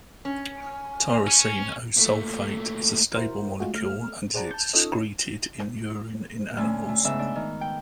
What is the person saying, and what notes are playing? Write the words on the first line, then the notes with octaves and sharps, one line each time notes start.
Tyrosine O-sulfate is a stable molecule and is excreted in urine in animals.
C#4 G#5
C#4
A#2 A3
E4 F#4 A#4 C5
G#3 A3 F4 F#4 G#4
A3 F6
G#4 C5 D5 F#5 A5 A#5
A5 G6
C#4 D#4 F4 A4 C#5 D#5
D2 A3 C#4
A3
G#2 C#3 B3 E5
D4
D#3
G5